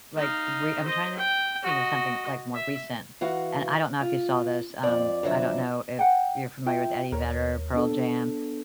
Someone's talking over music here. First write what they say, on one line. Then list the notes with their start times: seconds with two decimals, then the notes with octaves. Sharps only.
like, re I'm trying to think of something, like, more recent, and I don't know if you saw this. Um, I don't know if you're familiar with Eddie Vedder, Pearl Jam.
0.17 D#4 F5
0.84 C5 D#5
1.17 G5
1.63 F#4 D#5
2.55 E5
3.21 E3 F#4 F5 F#5
4.01 F4
4.83 F2 D5
5.23 F2 D3 F#3 E5
5.99 F#5 G5
6.66 F4 E5 G5
7.12 D#2 A#4 C#5
7.74 B3 D4 A4